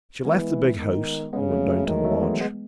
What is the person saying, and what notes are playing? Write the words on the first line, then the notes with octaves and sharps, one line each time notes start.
She left the big house and went down to the lodge.
E3 G#3 B3
D#3
C#3 G#3 B3
F#3 A3
F#3 A3
D#3 E3 G#3
F#3 A3
G#3 B3
G#3 B3